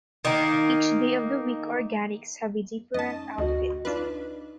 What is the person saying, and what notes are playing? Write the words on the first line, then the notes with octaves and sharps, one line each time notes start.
Each day of the week organics have a different outfit.
D#3 A#3
A3 C#4 D#4 D#5 A5
D2 F#4 D#5
D4 D#4 F4 B4